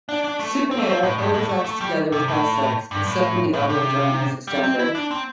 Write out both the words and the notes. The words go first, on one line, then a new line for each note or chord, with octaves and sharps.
Supinator always acts together with biceps, except when the elbow joint is extended.
D4
D4
A3
C4
A3
C4
A2
G2
A2
A3
A3
G3
C3
A2
G2
A2
A2
C3
G3
C4
E4
D4
C4